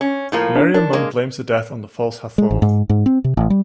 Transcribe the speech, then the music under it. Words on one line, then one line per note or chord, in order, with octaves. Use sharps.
Meriamun blames the death on the False Hathor.
C#4
A2 F3 A#3
D4
D4 A#4
G#3 A#3
G#3
A1
G#2
G#2
C4
C3
A1
G3